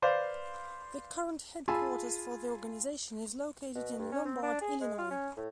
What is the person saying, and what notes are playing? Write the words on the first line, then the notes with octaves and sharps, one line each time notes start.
The current headquarters for the organization is located in Lombard, Illinois.
B4 C5 D5 F5
F4 G#4 G#5 A5 B5 E6
B2
G2
C#4
C4
D4
G#4
G#3
F4
C#4
A2